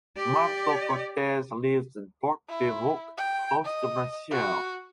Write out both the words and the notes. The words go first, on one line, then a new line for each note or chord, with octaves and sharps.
Marco Cortes lives in Port-de-Bouc, close to Marseille.
G4 D5
E4
G5
D#5
F#4